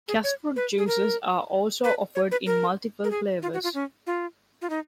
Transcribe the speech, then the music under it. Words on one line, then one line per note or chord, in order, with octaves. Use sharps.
Kasfruit juices are also offered in multiple flavors.
G#4
C#5
B4
G#4
A#4
B4
C#5
B4
A#4
A#4
G#4
F4
F#4
F4
C#4
F4
F4
D#4